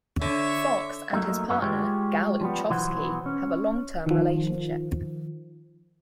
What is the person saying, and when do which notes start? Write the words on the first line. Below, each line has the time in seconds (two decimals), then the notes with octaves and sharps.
Fox and his partner, Gal Uchovsky, have a long-term relationship.
0.21 D3 C#5 E5
1.13 F#3 A3 A#3 D#4
1.49 F#2 A#3 C#4 F#4 B4 E5
1.62 G#3 F4 G4 C#5
2.40 F3 G3 B3
2.70 B1 E3 F#3 B3 C5 F#5
3.26 C#4
4.06 D#3 F3